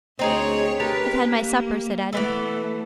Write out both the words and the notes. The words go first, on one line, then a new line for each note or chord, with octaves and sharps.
"I've had my supper," said Adam.
D2 C4 D#4 G#4 C#5
G4 A#4 B4 A5
A#3
E3 A3 B3 A4